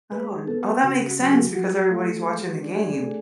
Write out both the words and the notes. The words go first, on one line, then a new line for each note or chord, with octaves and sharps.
Oh, oh, that makes sense because everybody's watching the game.
G#3 B4
B3 A4
C#3 F#4
F#4
F#3
G#4
F#3 F#4
A3 F4
G#3
F#4
D4
G#4
A3